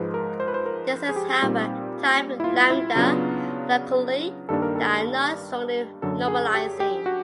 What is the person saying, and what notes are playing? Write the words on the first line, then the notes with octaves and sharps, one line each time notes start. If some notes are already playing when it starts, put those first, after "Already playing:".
There exist, however, typed lambda calculi that are not strongly normalizing.
Already playing: G#2 F3 G#3 B4
A#4
C5
B4
C5
A#4
G#4
G4
A#2 G3 C4 D#4
E4
F4
E4
C#3 F#3 B3 D4 F4
G2 D#3 G3 A#3 D4 A4
A#4
A4
F#2 D3 F#3 A4
G#4
G4
G4
F#4